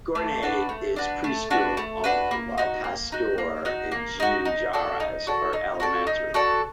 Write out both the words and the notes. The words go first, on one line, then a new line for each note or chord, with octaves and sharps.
Gournay is preschool only, while Pasteur and Jean Jaures are elementary only.
A3
D4 F#4 B4
A3
D4 F#4 B4
A3
D4 F#4 B4
A3
D4 F#4 B4
A#3
D#4 F#4
A#3
D#4 F#4
A#3
D#4 F#4
A#3
D#4 F#4
D#4
F#4 A4 D5
D#4
F#4 A4 D5
D#4
F#4 A4 D5
D#4
F#4 A4 D5